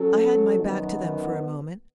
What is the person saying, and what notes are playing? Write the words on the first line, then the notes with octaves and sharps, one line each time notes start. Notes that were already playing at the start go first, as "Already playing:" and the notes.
I had my back to them for a moment.
Already playing: F#3 C#4 F#4 A4
F#2 D#3 F#3 B3